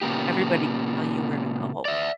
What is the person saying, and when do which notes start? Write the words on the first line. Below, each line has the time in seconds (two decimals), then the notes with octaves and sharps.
everybody will tell you where to go,
0.02 A#2 C#3 A#3 B3 G4
1.85 D5 E5